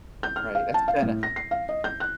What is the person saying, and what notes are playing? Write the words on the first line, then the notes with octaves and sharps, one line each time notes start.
right, that's kinda
G6
F6
F5
A5
F5
A2
A#6
C7
F5
D#5
G6
F#6